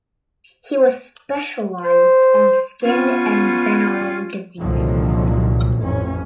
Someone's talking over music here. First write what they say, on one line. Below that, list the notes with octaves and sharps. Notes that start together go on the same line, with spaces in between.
He was specialized on skin and venereal diseases.
C5
B3 C#4 F4
C2 A#2 D3 D#3 F3 F#3
A1 F2 C#4